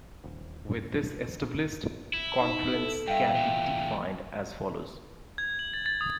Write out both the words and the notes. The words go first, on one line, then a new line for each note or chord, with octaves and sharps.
With this established, confluence can be defined as follows.
D#1
E4
D#4
A4
G2 E5 F5 G5
E2 A#2
G#6
F#7
A6
A6
D#6